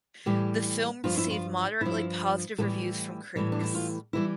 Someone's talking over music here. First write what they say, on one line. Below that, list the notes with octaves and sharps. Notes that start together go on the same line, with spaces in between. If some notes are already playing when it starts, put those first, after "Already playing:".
The film received moderately positive reviews from critics.
A2 E3 G3 G4
G2 F3 F4
E4
F4
G2 F3 E4
A2 E3 G3 A3
A2 E3 G3
D4
E4
F4
E3 G3 E4